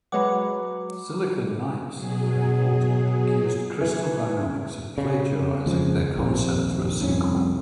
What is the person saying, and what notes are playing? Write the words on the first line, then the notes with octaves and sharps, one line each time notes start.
Silicon Knights, they reported, accused Crystal Dynamics of plagiarizing their concept for a sequel.
F#3 G#3 B4 C#5 F#5 B5 D6
B2 F#3 G#4
E3
C#3
C#3
D#2 C#3 F3 G#3
A#1 D#2 C3
C2 F2 C#4